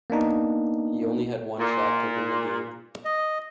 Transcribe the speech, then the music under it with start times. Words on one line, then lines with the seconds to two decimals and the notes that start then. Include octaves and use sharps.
He only had one shot to win the game.
0.10 A#3 B3 D4 D#4
1.59 A#2
3.05 D#5